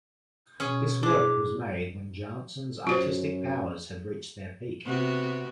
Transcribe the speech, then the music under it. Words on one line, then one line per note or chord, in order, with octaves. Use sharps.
This work was made when Janssens' artistic powers had reached their peak.
B2 C#4 G#4
D4 E4 G#4 D6
F#2 F4 F#4 C5
C3 B3 F#4